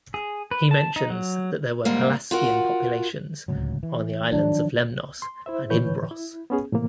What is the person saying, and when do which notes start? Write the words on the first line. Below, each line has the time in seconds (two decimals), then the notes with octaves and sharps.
He mentions that there were Pelasgian populations on the islands of Lemnos and Imbros.
0.14 G#4
0.51 B4
0.71 A5
0.96 D#4
1.10 F#3
1.85 G#2 D3 G3 A#3
2.31 F4 F#4 A#4 F#5
3.48 D1 C#2 F#3
3.83 E3
4.32 D#3 F3 F#3 D4
5.22 C6
5.46 E4 C5 E5
5.70 A2 D3 E3 B4 C#5 G6
6.11 E4
6.50 B3 C#4 G#4
6.73 A2 C3 E3 A#3